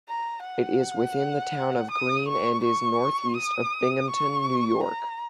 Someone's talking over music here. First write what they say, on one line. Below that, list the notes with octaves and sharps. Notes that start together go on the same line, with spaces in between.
It is within the town of Greene and is northeast of Binghamton, New York.
A#5
F#5
D#6
C#6
C#6
D#6
C#6
A#5